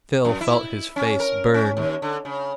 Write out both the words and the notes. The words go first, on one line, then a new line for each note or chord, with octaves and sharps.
Phil felt his face burn.
F#2
E4
C#4
A#4
C#4
D#2
D3
C#3